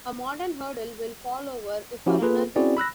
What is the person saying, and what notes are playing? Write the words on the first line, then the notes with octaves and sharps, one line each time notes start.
A modern hurdle will fall over if a runner hits it.
F3 C#4 E4 F#4 G4
A#3 F4 G#4 A4 B4
C4 C#4 E4 F#4 G#4 D5
B5 E6 F#6 A#6